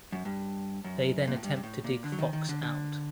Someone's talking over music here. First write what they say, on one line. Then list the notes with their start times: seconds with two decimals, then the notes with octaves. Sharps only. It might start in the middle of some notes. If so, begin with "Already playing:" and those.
They then attempt to dig Fox out.
0.12 F#2
0.25 G2
0.84 F#2
1.27 A#2
1.36 A2
1.44 G2
1.56 G2
1.63 A2
1.84 A#2
2.04 D3
2.12 F#3
2.19 D#3
2.33 D#3
2.49 D3
2.63 D3